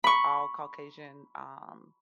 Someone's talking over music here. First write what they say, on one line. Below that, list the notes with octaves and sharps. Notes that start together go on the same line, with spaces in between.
all Caucasian, um,
B5 C#6